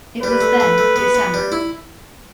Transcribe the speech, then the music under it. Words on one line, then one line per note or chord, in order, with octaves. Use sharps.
It was then December.
G3 B4
A3
A3
A3
B3
B3
G3
E4